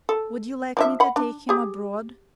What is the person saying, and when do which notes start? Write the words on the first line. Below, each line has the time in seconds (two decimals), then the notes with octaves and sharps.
Would you like me to take him abroad?
0.09 A4
0.77 F3 D4 E5
1.00 F#5 B5
1.16 D4
1.49 G4 G#4